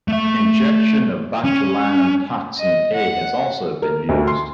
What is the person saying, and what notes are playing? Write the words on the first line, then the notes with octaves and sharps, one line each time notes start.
Injection of botulinum toxin A has also been used.
A3 E5
C#4
D#5
F#5
A#4
D2
C6